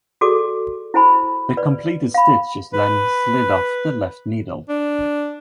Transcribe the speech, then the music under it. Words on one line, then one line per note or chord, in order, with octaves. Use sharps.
The completed stitch is then slid off the left needle.
F#4 G#4 A4 D5 D6
E4 C5 G#5 B5
B4 D5
F5 B5
B4
D4